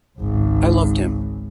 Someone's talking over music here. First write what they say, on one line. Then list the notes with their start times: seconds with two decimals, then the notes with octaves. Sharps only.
I loved him.
0.19 G#1 C#2